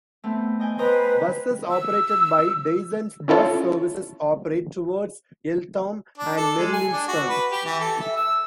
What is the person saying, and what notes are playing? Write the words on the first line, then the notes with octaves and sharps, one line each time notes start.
Buses operated by Dyson's Bus Services operate towards Eltham and Merlynston.
A3 B3 C4
D#5 G5 G#5
B4 C5 D#5 A#5
E6
C#4 E4 F4 A4 C#5
D4
A4
G#3
G#5
D4
F#4
B4
G4
E3
A4
E5
E6